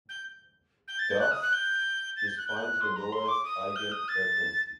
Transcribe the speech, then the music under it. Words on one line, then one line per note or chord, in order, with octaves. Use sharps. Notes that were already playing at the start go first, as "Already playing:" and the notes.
Thus, this finds the lowest eigenfrequency.
G6
G6
A6
G6
F#6
D#6
F#6
G6
A6
G6
F#6
G6
F#6
C6
A#5
C6
D6
D#6
G6
D#6
A6